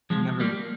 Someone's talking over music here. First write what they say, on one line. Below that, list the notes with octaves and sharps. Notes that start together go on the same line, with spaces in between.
It never
F3 G#3
G3 A#3